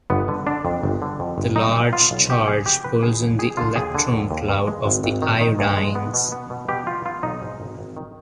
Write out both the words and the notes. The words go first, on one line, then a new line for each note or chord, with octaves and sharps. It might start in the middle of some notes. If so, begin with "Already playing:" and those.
The large charge pulls on the electron cloud of the iodines.
G1 B3
D3
D3 D4
F2
G1
D3
F2
G1
B1 D#4
G3
B3 F4
B1
B3 G4
B2 G#4
G3 G4
B3 B4
D3 G#4
D#2
G3 G#4
D3 F4
D#2 G#4
D3
D#2
D#2
G2
G#3
G#1
G#1
D#3
D#3
G2
G#3
B3
B2
B3
B2
B2 G4
B3 F4
B3 F4
B1 D#4
G#2
G#1
G#1
D#3